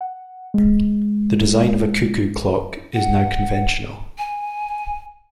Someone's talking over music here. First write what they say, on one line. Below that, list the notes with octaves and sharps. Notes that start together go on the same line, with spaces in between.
The design of a cuckoo clock is now conventional.
F#5
G#3
F#5
G#5